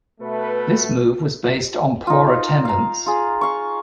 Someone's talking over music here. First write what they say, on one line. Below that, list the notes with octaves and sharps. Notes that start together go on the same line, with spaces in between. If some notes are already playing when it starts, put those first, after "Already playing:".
This move was based on poor attendance.
B2 A3 B4
D#4 F4
F5 A#5
F4 G#4
F5 C#6